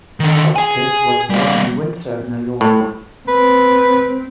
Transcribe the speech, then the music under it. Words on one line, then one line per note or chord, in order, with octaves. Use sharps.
Hotchkiss was born in Windsor, New York.
D3 D#3
G#4 G#5
G3 A#3
A2
C4 B4